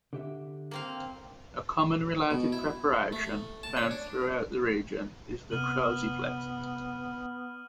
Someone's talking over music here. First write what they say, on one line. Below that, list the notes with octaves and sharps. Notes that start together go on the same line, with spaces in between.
A common, related preparation found throughout the region is the Croziflette.
D3 G4 E5
A#3 C4 F5
B2
E4
A3
A5
C#5
D4
F#2 C3 B3 F6 D#7 F#7